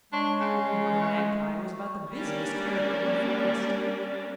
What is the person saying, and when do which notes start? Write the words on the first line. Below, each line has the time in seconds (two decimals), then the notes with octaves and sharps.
Old Mother Magpie was about the busiest character in the forest.
0.13 G#3 D4 C#5 C6
0.41 C#3
0.99 A3
2.14 G3 A#3 C#4 D4 D5